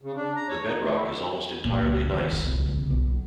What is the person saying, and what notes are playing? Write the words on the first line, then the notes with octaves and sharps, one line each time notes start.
The bedrock is almost entirely gneiss.
C#3
D4
A#5
C#5
D#4
A3
E4
A#2
C#2
D#3
E4
C2
C#2
C3
B1
F#3